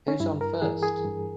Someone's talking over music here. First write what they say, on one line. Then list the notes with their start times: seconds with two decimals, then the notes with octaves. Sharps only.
Who's on First?
0.08 C#4
0.20 G2 E4
0.41 A#4
0.62 E3 G#4
0.83 G#4
1.04 G2